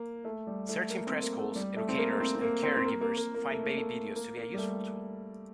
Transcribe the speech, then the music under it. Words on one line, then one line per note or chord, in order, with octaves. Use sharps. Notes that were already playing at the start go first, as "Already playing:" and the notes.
Certain preschools, educators and care givers find baby videos to be a useful tool.
Already playing: A#3
A3
G3
A3
A#3
C4
A#3
A3
G3
A3
C4
A#3
C4
C4
A#3
C4
C4
A#3
A#3
A#3
A#3
A3
A#3
A3
A#3
A#3
G3
A3